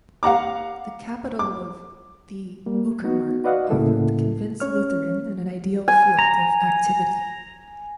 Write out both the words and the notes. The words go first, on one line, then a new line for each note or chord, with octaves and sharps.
The capital of the uckermark offered the convinced Lutheran an ideal field of activity.
F5 F#5 A#5 D6
D6
G3 A#3
B3 D#4 F#4
F#4 B4 D5 D#5 F5 F#5
C#2 A2 C#3 A#3 E4 A4
C#4 C#5 F6
G#5
A#5